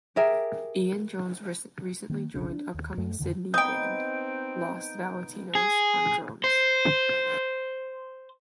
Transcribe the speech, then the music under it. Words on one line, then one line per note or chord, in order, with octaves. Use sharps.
Ian Jones recently joined upcoming Sydney band, Lost Valentinos on drums.
G4 G#4 A#4 E5
D#3 A#3
F1 B1 C#3 D4
D4
D#2
F#2 A3
F2 B2 D3 D#3
B3 C4 D#4 D#5 G5 G6 D7
G#4
C5